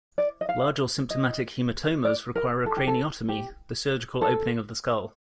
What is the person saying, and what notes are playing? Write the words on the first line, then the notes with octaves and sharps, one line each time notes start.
Large or symptomatic hematomas require a craniotomy, the surgical opening of the skull.
D5
D#5
F5
D#5
D5
A#4
A4
G4
A4
G4
A4